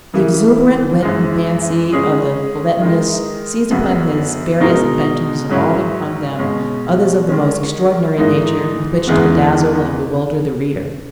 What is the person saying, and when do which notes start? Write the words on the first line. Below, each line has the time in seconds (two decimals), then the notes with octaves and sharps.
The exuberant wit and fancy of the feuilletonists seized upon his various inventions evolving from them others of the most extraordinary nature with which to bedazzle and bewilder the reader.
0.14 C#3 E3 A#3 E4
1.02 F#2 E3 G#3
1.92 C#3 G#3 C#4 G#4
2.81 D#3 G#3 D#4
3.71 F#2 C#3 F#3 B3
4.60 B2 G#3 D#4 F#4 A#4
5.50 G#2 F#3 C#4 E4 A#4
6.39 B2 G#3 C#4
7.29 D#3 G#3 C#4
8.18 G#2 E3 A#3 D#4
9.07 E2 C#3 E3 G#3 B3